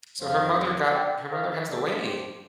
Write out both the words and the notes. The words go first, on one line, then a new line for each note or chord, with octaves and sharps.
So, her mother got her mother has the way.
F2 F3 C4 C5 F5
D5 G5
C5 F5
G1 G2 F3 A3 A4 D5
G4 C5